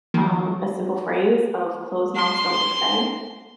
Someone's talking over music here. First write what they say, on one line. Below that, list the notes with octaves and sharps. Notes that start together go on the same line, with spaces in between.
um, a simple phrase of closed mouths don't get fed,
D#3 F3 A#3
C6